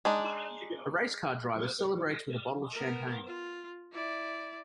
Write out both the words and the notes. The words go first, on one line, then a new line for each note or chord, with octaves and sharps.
A race car driver celebrates with a bottle of champagne.
G#3 D4 D#4
B3 A#4
F4
E4 D5